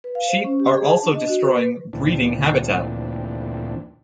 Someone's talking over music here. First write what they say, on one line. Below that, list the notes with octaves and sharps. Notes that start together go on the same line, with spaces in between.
Sheep are also destroying breeding habitat.
B4
F5
C5
C#4
G4
G#4
A5
D4
D#5
F#4
B4
B4
D2 A#2 E3 C4 D4